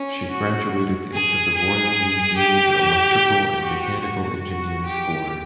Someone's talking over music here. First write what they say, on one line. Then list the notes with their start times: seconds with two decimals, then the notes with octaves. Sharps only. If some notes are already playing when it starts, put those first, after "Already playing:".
She graduated into the Royal New Zealand Electrical and Mechanical Engineers Corps.
Already playing: C#4
0.31 F#4
1.13 G#4
1.54 G#4
2.37 G4
3.60 F#4
4.01 F#4
4.43 F#4
4.85 G4